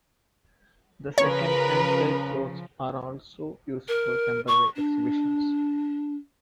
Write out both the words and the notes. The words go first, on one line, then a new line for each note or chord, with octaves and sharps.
The second and third floors are also used for temporary exhibitions.
C#3 F3 A#4 B4 C#5
A#4
C#6
D4